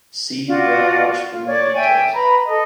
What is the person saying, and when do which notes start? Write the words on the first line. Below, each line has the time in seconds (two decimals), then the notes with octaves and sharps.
See Railwatch for more details.
0.49 F4 F#4 D5
1.30 F4
1.48 C#5 D5
1.75 E5 G5 G#5
2.14 B4 A#5 B5
2.45 A4 D#5